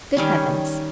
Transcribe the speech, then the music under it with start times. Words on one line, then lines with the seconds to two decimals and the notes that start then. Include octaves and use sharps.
Good heavens!
0.17 D#3 G3 C#4